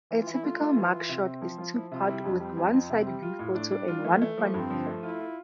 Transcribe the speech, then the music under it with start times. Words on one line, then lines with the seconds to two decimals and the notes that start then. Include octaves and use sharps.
A typical mug shot is two-part, with one side-view photo, and one front-view.
0.11 E3
0.22 E3 F4
0.32 E4
0.43 A3 F4
0.60 A3
0.76 E3
0.92 E3
1.09 C3
1.25 C4
1.42 F3
1.58 F3 F4
1.75 F3 E4
1.91 C3 F4
2.07 G3 E4
2.24 F2 D4
2.40 G3 C4
2.57 F2
2.73 F2
2.90 C3
3.06 G3
3.22 F4
3.39 A2
3.55 A3 D4
3.71 G3 D4
3.88 G3 F4
3.99 G3
4.04 F3 A3
4.21 E3 A3
4.38 F3 A#3
4.54 G2 C4
4.70 F3
4.86 A3
5.03 E4 F4
5.20 F4